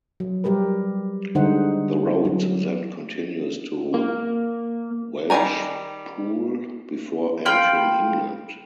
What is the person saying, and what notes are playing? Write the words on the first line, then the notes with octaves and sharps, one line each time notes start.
The road then continues to Welshpool before entering England.
F#3
G3 G4 A#4 B4
D3 G3 G#3 D#4 C5 F#5
F#3
A#3
D#3 G3 D5 G#5 A#5
F4 G5 B5 G6